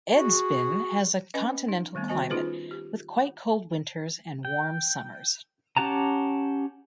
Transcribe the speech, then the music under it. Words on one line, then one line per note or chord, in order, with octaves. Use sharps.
Edsbyn has an continental climate with quite cold winters and warm summers.
F#4 G#4
C#4 B4 D#5 G#5 B5
D#4
D#3 G3 A3 B3 C4
D#3 F#4 D#5 G#5 A5
C#4 D#4 F4 G#4 B4 C5
G4
G5
C#4 G4 F#5 A5 A#5